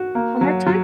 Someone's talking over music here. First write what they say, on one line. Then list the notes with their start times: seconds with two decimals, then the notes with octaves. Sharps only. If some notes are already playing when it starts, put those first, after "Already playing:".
One more time?
Already playing: F#4
0.15 A#3
0.41 F#3
0.66 F#3